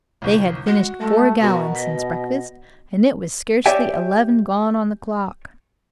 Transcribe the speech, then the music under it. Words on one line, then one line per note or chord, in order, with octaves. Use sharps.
They had finished four gallons since breakfast, and it was scarcely eleven gone on the clock!
G1 C2
G#3 F#4
G#3 A3
B2 B3 F#4 A#4
D#5 B6
G4 C#5 D5 E5 G5 G#5